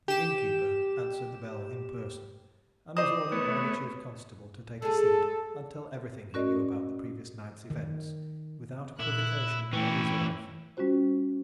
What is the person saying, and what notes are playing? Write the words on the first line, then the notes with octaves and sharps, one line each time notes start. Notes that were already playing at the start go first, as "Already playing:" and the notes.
The innkeeper answered the bell in person, and was ordered by the chief constable to take a seat and tell everything he knew about the previous night's events, without equivocation or reserve.
G4 E7
C5 D5 D#5 D#6 E7
A3 B3 B4 C#5
G#3 G#4 A4
C#4 F#4 A#4 D5 D#5
D#3
A#2 E4 F#6
E3 A3 C#4 E4 B4 G5
G3 C#4 F4 F#4 C5